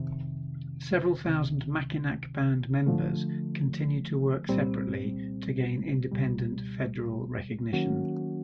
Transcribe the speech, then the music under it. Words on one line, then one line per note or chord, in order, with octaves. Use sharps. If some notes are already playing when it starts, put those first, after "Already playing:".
Several thousand Mackinac Band members continue to work separately to gain independent federal recognition.
Already playing: F2 C3 D#3
C#2 C3 D#3
D3 F3 A3
C2 A#2 G3 C4
C#2 B2 G3
D#3 F#3 A#3 C#4 F#4